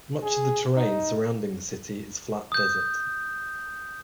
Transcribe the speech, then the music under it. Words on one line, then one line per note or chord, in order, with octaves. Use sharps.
Much of the terrain surrounding the city is flat desert.
G#4
D#4
D#6 G6